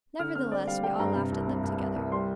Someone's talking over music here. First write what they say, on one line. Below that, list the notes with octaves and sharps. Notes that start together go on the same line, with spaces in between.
Nevertheless we all laughed at them together.
D3 F6
C4 F6
C4 D5
G3 F5
G3 G5
G2 A#5
C3
C2
C3
C2
C2
C2
G3 C6